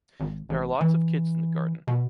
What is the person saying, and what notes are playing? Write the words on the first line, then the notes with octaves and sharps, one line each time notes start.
There are lots of kids in the garden.
G#1
A1
E3
B2